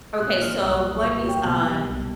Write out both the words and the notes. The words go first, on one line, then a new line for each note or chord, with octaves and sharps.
Okay, so what is on
A#2 F#6
F#3 F6
C2 D#6
A#3
A#2 C#6
F#3 G5
B2 A5
G3
C2